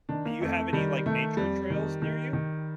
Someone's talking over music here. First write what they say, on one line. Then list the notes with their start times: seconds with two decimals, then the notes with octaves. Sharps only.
Do you have any, like, nature trails near you?
0.09 D#3 D4
0.25 A#3
0.41 F2 A3
0.57 A3
0.73 D#3 G3
1.06 D#3 A3
1.37 F2 G3
1.70 D#3
2.02 D#3
2.33 D#3